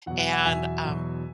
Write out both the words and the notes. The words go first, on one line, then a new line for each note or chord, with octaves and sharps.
and, um,
E2 B2 F#3 F#5
F#5
F#5
E2 B2 F#3 E5 G#5
E2 B2 F#3